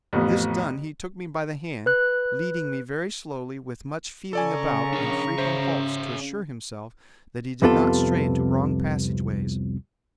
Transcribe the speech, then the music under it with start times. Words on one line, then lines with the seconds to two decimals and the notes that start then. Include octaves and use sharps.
This done he took me by the hand, leading me very slowly, with much feeling about and frequent halts to assure himself that he did not stray into wrong passageways.
0.13 A1 F2 B3
1.86 B4 F#6
4.33 C#3 A4 D5 G#5 A#5 C#6
4.93 D4 A#4
5.38 C#4 C5 E5
7.62 C2 F2 C3 B3 F4 A4